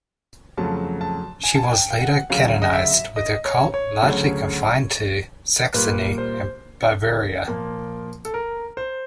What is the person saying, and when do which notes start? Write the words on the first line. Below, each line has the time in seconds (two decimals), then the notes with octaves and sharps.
She was later canonized, with her cult largely confined to Saxony and Bavaria.
0.57 F2 C#3 F#3 A3 A5
1.01 A5
1.44 G#5
1.55 A5
1.63 G#5
1.72 G5
1.91 G5
2.01 F#5
2.30 D2 C#3 F#3 F5
2.62 D#5
2.73 E5
3.16 D#5
3.45 C#5
3.74 C#5
4.02 D2 C#3 F#3 A3
5.74 A#2 G3 A#3 B4
6.18 C5
7.47 A#2 F3 A#3
8.25 A4
8.34 A#4
8.77 C5